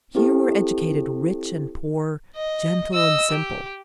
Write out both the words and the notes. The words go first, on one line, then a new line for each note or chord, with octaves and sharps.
Here were educated rich and poor, gentle and simple.
C4 E4 G4 A4
D#5
D#5 E6
G4